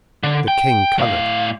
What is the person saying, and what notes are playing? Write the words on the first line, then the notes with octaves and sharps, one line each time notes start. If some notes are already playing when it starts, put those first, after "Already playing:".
The king colored.
D3
G5
A2 F5